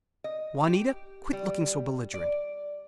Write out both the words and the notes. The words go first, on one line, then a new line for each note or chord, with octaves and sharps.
Juanita, quit looking so belligerent.
D#5
G4
G3
D5